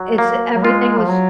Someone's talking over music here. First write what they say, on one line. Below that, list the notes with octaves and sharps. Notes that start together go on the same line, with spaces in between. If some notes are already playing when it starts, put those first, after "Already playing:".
it's, eh everything was
Already playing: F#3
A#3
F#3
G#3 F4
F3
F#3